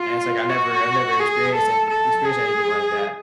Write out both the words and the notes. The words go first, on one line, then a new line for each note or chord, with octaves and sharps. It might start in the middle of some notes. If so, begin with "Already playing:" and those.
and it's like, I never I've never experienced an n experienced anything like that,
Already playing: F4
F#4
G#4
A4
A4
G#4